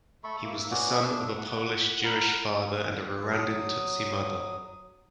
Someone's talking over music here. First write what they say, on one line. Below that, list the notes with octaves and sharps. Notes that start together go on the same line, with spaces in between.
He was the son of a Polish Jewish father and a Rwandan Tutsi mother.
A3 A4 B5 C#6
A#3 E5
B3 C#4 F#4 D5
D4 E5
F#5
A#4 F#5 B5
F#3 D#6